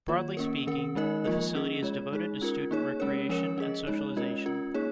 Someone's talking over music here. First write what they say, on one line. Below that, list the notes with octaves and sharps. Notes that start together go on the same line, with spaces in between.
Broadly speaking, the facility is devoted to student recreation and socialization.
D#3 A#3 F4 C#5
A#3 C#4 A#4
D#3 C#4 A#4
D#3 G#3 D#4 A#4 D#5
F3 A#3 F4 A#4 D#5
C#4 G#4 D#5
G#3 F4 C#5
G#3 D#4 G#4
C#4 F4 A#4
A#3 D#4 G#4 C#5
G#3 C#4 A#4 C#5
F3 C#4 A#4 C#5
C#4 G#4 D#5
G#3 D#4 C#5
G#3 C#4 F4 A#4 D#5
C#4 F4 A#4
A#3 D#4 G#4 C#5